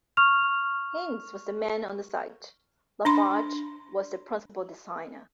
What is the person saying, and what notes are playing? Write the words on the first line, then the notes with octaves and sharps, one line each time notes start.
Heins was the man on the site; LaFarge was the principal designer.
C#6 F6 F7
D4 B5 C6